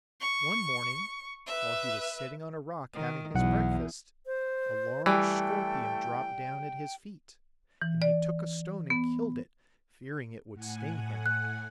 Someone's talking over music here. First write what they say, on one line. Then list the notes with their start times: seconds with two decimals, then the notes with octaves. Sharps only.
One morning, while he was sitting on a rock having his breakfast, a large scorpion dropped down at his feet, and he took a stone and killed it, fearing it would sting him.
0.21 C#6
1.47 B4 E5
2.95 D#3
3.34 B1 E2 F#5
4.26 C5
5.06 E3 G3 A3 G5
7.82 E3
8.02 D5
8.90 B3
10.53 A2 F#5 G#5
11.26 F#6